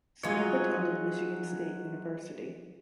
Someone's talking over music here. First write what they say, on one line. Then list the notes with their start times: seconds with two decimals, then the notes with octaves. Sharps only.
Smith attended Michigan State University.
0.23 F#3 D#4 F4 G#4 C#5